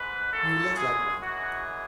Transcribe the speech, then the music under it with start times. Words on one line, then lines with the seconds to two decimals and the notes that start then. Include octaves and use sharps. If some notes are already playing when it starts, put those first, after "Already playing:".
You look like one.
Already playing: G#2 G#3 B4
0.31 F#2 C#3 E3 G#3 A4
0.75 G#4
1.19 F#2 E3 G#3 F#4